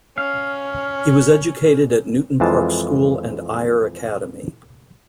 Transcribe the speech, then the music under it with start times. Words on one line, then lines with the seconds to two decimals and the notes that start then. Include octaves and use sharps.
He was educated at Newton Park School and Ayr Academy.
0.18 C#4 F5
2.40 F2 E3 G#3 F4 A5